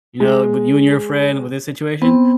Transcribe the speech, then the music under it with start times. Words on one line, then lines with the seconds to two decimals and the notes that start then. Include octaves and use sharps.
You know, with you and your friend, with this situation,
0.20 G#3
2.02 B3 C4